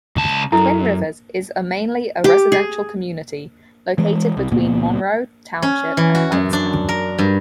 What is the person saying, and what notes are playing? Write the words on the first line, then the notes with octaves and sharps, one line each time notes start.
Twin Rivers is a mainly a residential community located between Monroe Township and Hightstown.
C#2 A5
F#2 E4 A4
G4
G#4
E3 G#3
C2
C#2 A#2 A#3 B3
C#4
E3
F#4
F#2
D4
A#4
G2